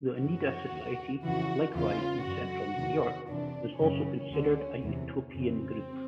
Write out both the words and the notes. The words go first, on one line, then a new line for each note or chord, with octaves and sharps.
The Oneida Society, likewise in central New York, was also considered a utopian group.
F#2 C#3 E3 F#4
D#2 D#3
F2 C#3 E3 F#4
E2 C#3 E3 F4
F#2 D3 F#4
E2 C3 D#3
F2 C3 E3 D4
F#2 C#3 E3 C#4
D2 D3
E2 C3 E3
F2 C#3 E3 C4